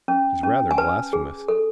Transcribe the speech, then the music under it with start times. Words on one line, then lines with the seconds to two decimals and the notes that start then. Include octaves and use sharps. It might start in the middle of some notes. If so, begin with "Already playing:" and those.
He's rather blasphemous.
0.08 C#4
0.43 C#4
0.71 G#5
0.78 B4 A5
1.13 G#4
1.48 A4